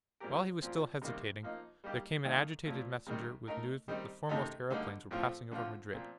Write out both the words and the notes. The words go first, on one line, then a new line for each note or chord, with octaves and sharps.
While he was still hesitating there came an agitated messenger with news that the foremost aeroplanes were passing over Madrid.
A#2 G3 C4 G4 A#4
A#2 F3 C4
C3 D#3 G3 A#3
F3 A#3 D#4
G3 A#3 D#4 G4
D#3 A#3 D#4 A4
A#2 F3 A3
C3 D#3 G3
A3 D#4 A#4
D#3 G3 C4 D#4
C3 D#3 A3 D#4 A4
D3 G3 A#3 D#4
A2 F3 A3 C4 F4
D3 F3 C4 F4
A#2 F3 C4